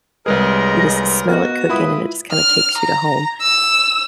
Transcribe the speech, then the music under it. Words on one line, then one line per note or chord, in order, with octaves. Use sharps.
you just smell it cooking and it just kinda takes you to home.
C2 G#3 G#4 A#4 B4 C#5 D#5
B3 F#4 A#4 D#5
G#3 E4 F4 B4 B5 D#6
F6
A#5
E6